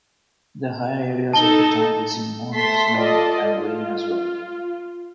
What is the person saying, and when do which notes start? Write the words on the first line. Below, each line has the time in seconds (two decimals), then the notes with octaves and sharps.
The higher areas of the town receive more snow and rain as well.
1.33 D#4 A4 A5 G7
2.54 A3 A5 C6 B6
2.98 F4 A4 D5 D#5
3.48 F4